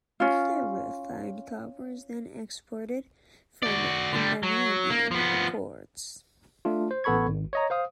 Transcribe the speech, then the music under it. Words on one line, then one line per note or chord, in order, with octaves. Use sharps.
The refined copper is then exported from Namibian ports.
C#4 F4
F#4 D5
D3 G3
F#3
A#3
F3 B3
A3 D4 F4
C5
A1 B3 A4 B5 C#6 G#6
G#1
C#5 D#5 A#5
C5 F5 D#6